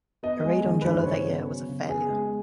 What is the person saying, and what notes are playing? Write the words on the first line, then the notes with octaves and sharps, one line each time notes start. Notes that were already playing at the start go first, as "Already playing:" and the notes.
A raid on Jolo that year was a failure.
B3 D#5
G#3
D#3
G2 B4
C5
C#3 C#5
B3
F#3
C#3
B3 G#4
G#3